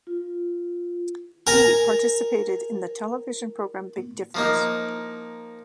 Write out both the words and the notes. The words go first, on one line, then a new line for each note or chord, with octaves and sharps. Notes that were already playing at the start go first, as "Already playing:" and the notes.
He participated in the television program "Big Difference".
F4
A#4 G#5 A#5
F3 A#3 D#4